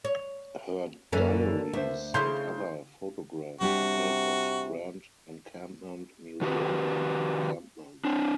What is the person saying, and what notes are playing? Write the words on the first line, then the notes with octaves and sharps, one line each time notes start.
Her diaries and other photographs are held at Grand Encampment Museum in Encampment.
C#5
F#2 D3 E3 A#3 C#4 A4
D2 C5 E5
C#3 A3 E4 C6 G6
C3 G3 D4 F#4 G4
D#3 F#4 G4 B4
C4 D4